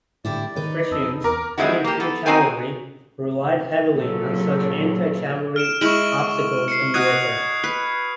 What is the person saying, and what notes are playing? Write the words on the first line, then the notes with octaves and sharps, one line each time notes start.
The Frisians, having few cavalry, relied heavily on such anti-cavalry obstacles in warfare.
A2 D3 G3 E4 D5
D#3 D#4 B4
F2 A4 D#5
E2 A#4 D6
F3 G3 G#3 C4 E4 F#4
A#3 G4
B3 A4
C4 D#4 F#4 A#4 C5 G#5
A#2 C#3 F#3 A4
F6 D7 E7
G#3 E4 C#6 F6 F#7
C7 C#7
F#4 D#5 D#6 F#6 G#6
B4